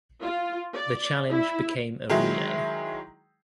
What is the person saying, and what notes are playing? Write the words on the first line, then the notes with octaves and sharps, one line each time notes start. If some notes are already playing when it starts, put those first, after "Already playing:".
The challenge became a relay.
F4
D5
E4
D#3 F#3 G#3 E4